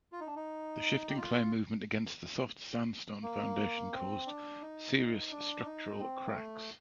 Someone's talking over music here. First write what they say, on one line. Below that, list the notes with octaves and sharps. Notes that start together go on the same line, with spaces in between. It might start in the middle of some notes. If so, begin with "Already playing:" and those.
The shifting clay movement against the soft sandstone foundation caused serious structural cracks.
F4
D#4
D4
D#4
G4
F4
A#3
C4
D4
D#4
D#4
D4
D#4
C4
A#3
A3